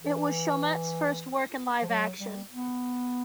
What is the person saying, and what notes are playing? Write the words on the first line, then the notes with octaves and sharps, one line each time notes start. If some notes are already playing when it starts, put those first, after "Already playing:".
It was Chomet's first work in live action.
E3
F3
F#3
G3
B3